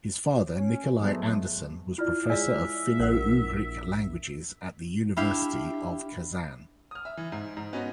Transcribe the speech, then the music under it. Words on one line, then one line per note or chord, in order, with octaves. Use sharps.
His father, Nikolai Anderson, was professor in Finno-Ugric languages at the University of Kazan.
C#4
G#2 F#3 G#3 A3 B3
E4 F4 D5 F6
G#3 C#5 D5 E5 G#5
A#1 A#4 F#5
D4 E4 G4 F5
D#6 F6
E5
E3
G#2
G#2
B3 C#4 D#4 F#4